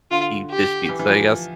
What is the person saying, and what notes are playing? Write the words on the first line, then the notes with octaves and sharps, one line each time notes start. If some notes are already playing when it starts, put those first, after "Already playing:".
deep dish pizza, I guess,
D3 F4
G4
E3
E3
F3